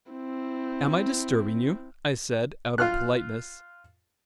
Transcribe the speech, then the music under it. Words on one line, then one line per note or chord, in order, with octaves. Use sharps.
"Am I disturbing you?" I said out of politeness.
C4 E4
F4 F6 F#6